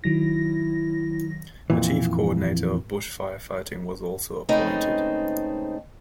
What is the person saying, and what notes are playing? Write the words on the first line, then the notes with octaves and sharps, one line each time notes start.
A Chief Co-ordinator of Bush Fire Fighting was also appointed.
D#3 F#3 E4 A#6
F2 A#2 E3
C#3 G#3 A3 C4 D#4 B4